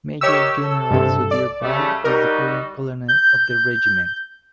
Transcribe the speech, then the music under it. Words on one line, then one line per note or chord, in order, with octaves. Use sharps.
Major General Sudhir Bahl is the current Colonel of the Regiment.
D#3 G4 C#5 C#6 E6
A4
G2 C3
D5
C#3 G3 A3
G3 D#4 F#4 A#4
G6